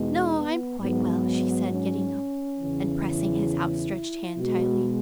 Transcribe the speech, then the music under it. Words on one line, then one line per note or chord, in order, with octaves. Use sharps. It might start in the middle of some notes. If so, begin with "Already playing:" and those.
"No, I'm quite well," she said, getting up and pressing his outstretched hand tightly.
Already playing: E2 B2 G#3 D#4
B3
G#2 F#3 B3
C#4
E2 C#3 E3
E4
B2 G#3 F#4